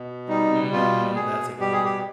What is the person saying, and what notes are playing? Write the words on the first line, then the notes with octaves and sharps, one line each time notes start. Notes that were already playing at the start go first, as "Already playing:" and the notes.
Mm. That's a good one.
Already playing: B2
G3 D#4
B2 F4
B2 G#4
G3 G4
G#4
G4